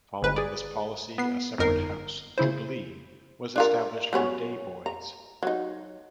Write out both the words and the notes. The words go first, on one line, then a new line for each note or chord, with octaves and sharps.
Following this policy, a separate house, Jubilee, was established for day boys.
G1 B4
G#4 D5
B3 C7
G1 F2 D#4 A#4 C7
C#3 E4 C5
D4 F4 A#4
F#3 B3 C#4
A#5
F#3 D#4